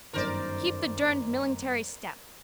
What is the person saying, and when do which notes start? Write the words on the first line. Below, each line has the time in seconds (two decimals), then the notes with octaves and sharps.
Keep the durned millingtary step.
0.13 G1 F#2 D#3 A#4 C5 D5